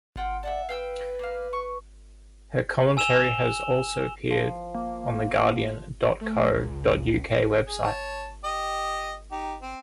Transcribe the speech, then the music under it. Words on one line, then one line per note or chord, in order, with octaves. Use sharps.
Her commentary has also appeared on the guardian dot co dot uk website.
F4 F#5 G5
D5 E5 F#5 A5
B4 F5 G5 E6
A#3 F5
C#6
G#5 E6 E7 F7 G7
F3
A#3
A3
C#2
G#4
C#5 A5
G4 D#5
D#4 G4
C4